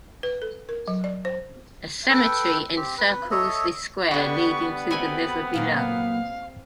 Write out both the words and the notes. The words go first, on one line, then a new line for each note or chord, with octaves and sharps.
A cemetery encircles the square, leading to the river below.
B4
A4
A#4
F#3
D5
C5
A4 B4 G5
C4 G4
B4
A4 C#5 D#5 E5
D3 G3 B3 C#6
C4 F#4 C#5 G#5 B5
A#2 F#3 A#3 F5